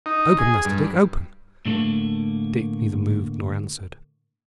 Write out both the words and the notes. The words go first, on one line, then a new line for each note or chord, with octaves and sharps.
"Open, Master Dick; open!" Dick neither moved nor answered.
D#4
G#4
G2
A2 D3 F3 A3 A#3